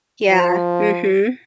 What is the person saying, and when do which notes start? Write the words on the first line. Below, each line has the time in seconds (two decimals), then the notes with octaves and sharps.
Yeah, mhm.
0.29 F3